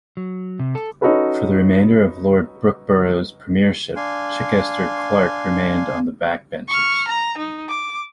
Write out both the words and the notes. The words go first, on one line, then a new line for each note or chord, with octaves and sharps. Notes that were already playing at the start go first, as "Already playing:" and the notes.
For the remainder of Lord Brookeborough's Premiership, Chichester-Clark remained on the back benches.
F#3
C3
A4
C#4 D#4 F#4 A4 B4 C#5
D4 F5 G#5 C6
C#6 F6
A#5
D#4
D6